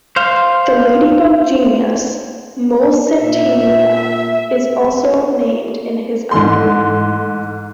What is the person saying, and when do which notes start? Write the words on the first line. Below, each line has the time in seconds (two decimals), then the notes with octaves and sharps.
The ladybug genus "Mulsantina" is also named in his honor.
0.16 C5 F5
3.21 A#2 E5
6.31 G#2 E3 A3 C6